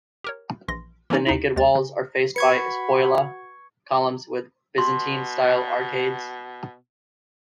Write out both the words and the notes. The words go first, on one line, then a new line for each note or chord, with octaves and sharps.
The naked walls are faced by "spolia" columns with Byzantine style arcades.
G4 A#4 C#5
A#1 E3 C6 A#6
E3 A#3 C4 C#4 D#4 D5
D#2 D#4 E4
D#2 G#3 A6
C#3
F#4 B4 B5 C#6 G#6 C#7
B2 C6